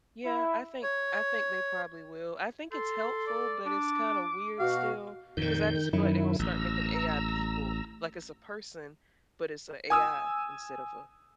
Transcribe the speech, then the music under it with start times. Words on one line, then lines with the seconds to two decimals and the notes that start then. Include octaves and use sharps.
Yeah, I think I think they probably will. I think it's helpful, but it's kinda weird still, 'cause I just feel like they're going to start making AI people like it's a person, but it's a AI instead of a
0.24 E4
0.83 C#5
2.72 A4 C6
3.27 D5
3.66 D4 D6
4.59 B2 F#4 F5
5.37 F2 A#2 D#3 G6
5.93 F#2 D#3 F#3 E4
6.39 A1 A#5 E6
9.90 G#5 D#6 E6